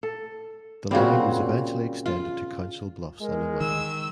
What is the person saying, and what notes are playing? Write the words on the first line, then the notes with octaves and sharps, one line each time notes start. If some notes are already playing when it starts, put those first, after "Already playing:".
The line was eventually extended to Council Bluffs and Omaha.
A4
A#2 C#3 G3 C4 F#4
F4
G#3 A#4
D#3 E6